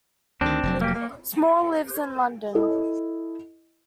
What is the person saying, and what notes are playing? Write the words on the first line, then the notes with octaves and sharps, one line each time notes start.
Small lives in London.
D2 D#3 C4 D4
F1 A2 F#3
A#3 G4
A#3
E4 A4 D#5